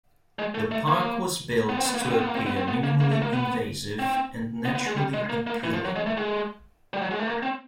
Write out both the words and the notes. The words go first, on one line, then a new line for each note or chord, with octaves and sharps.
The park was built to appear minimally invasive and naturally appealing.
G#3
A3
A3
A#3
B3
C4
B3
A#3
B3
C4
B3
A#3
C4
B3
C4
B3
A#3
A#3
A3
A#3
B3
C4
B3
B3
G#3
G3
G#3
A#3
A#3
E3
F3
F#3
G#3
A3
G#3
G3
F#3
G#3
A3
A#3
C4